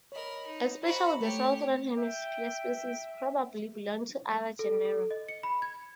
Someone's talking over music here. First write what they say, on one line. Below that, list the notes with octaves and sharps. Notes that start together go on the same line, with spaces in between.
Especially the Southern Hemisphere species probably belong to other genera.
A#4 C#5 D#5 B5
D#4
F#4 C5 D#5 A#5 B5
A3 G4 C#5
E5 G5
A4
A4
D#5
C#7
B5
G#6